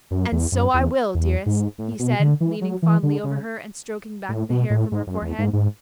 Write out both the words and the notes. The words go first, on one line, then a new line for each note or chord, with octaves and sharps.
"And so I will, dearest," he said, leaning fondly over her, and stroking back the hair from her forehead.
F#2
E2
F#2
E2
E2
G#2
A2
B2
D3
E3
F#3
E3
D3
C#3
A2
B2
A2
G#2
F#2
E2
G#2
G#2